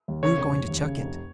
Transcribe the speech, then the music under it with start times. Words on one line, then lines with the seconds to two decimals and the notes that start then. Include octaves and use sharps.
We're going to chuck it.
0.08 D#2
0.23 C#3 C#5
0.38 F1
0.53 F1
0.68 D#2
0.82 C#3
0.97 F1